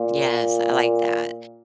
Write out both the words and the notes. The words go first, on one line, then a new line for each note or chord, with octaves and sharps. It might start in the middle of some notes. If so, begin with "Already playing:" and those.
Yes, I like that.
Already playing: A#2